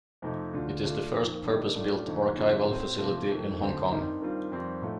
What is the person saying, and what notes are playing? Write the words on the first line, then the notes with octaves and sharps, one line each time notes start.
It is the first purpose-built archival facility in Hong Kong.
F2 C3 F3 A3 D#4
D2 D3 A3 D4 F4
D3 A3 D4 F4
F2 D#3 A#3
D3 G3 A#3 D#4
A2 A3 D4 F4
F2 D3 A3 D#4
F2 D3 G3 C4 F4
A2 A3 C4
F2 C3 F3 A3 C4
F2 D#3 A3
D2 D3 A3 C4
G2 D#3 G3 C4 D#4
G2 D#3 G3 C4 F4
F2 D#3 G3 C4
A2 F3 A3 D#4